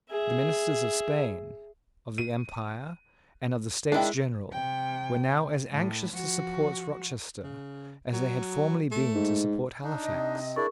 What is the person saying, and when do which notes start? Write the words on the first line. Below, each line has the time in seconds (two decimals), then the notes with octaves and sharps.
The ministers of Spain, of the Empire, and of the States General were now as anxious to support Rochester as they had formerly been to support Halifax.
0.11 G#4 E5
2.18 D#7
3.92 D#3 G#3 D4 E4
4.52 C3 G5
5.72 A2
6.12 F3 F#4
7.42 C#3
8.13 F#3
8.91 A3
9.15 G#2
9.84 D4 D#4
10.05 C3 C4 D#5
10.56 D4 E4 G#4 A#4 D5 C#6